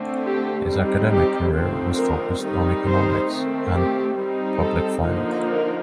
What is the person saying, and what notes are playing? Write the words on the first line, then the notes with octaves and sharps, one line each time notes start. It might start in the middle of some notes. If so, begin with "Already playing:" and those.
His academic career was focused on economics and public finance.
Already playing: D3 A3 C4
G4
G3 C4 D#4
G4
D3 F3 A3 C4 D#4
A#4
D#3 G3 C4 D#4
C5
D#3 A3 C4
G4
G3 C4 D#4
A4
D3 F3 A#3 D#4
A#4